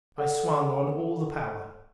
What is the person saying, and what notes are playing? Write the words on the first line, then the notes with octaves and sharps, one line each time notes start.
I swung on all the power.
A4 D5 F#5